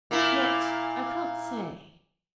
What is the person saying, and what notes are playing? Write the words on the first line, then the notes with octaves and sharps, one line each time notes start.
Yet, I can't say.
A#2 A#3 E4